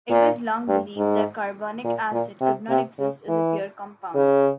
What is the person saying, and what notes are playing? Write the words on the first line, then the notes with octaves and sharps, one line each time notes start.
It was long believed that carbonic acid could not exist as a pure compound.
A#2
G2
G#2
A#2
A#2
C3
C3
C#3
E3
C#3